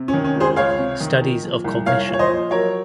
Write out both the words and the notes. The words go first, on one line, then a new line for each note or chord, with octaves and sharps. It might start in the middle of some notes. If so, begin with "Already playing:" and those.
Studies of cognition.
Already playing: C3
C#4
D#3
C#4
C#2
G#4 C5
C#2 C#5 F5
C3
D#3
A#2
F3
C2
C2 C#5 F5
A#2
C#5
C5 D#5
F3
F#3 A#4 C#5